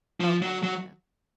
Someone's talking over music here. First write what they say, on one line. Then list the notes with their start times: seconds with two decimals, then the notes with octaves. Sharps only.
Okay. Yeah.
0.20 F3
0.42 F#3
0.63 F#3